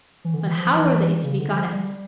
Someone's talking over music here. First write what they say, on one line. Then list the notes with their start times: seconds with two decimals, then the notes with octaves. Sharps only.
But how were they to be got at?
0.25 E3
0.33 D3
0.40 E3
0.58 F3
0.74 E3
1.23 C#3
1.39 D3
1.55 F3
1.73 G3